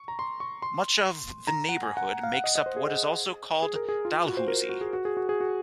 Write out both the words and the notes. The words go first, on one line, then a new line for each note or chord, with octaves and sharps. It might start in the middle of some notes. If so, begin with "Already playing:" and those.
Much of the neighbourhood makes up what is also called Dalhousie.
Already playing: C#6
A#5
C6
C#6
C6
A#5
F#5
G#5
F#5
F5
F#5
D#5
D#5
C5
G#4
G#4
A#4
G#4
F4
F#4
C5
A#4
F#4
G#4
F#4
G#4
F#4
G#4
F#4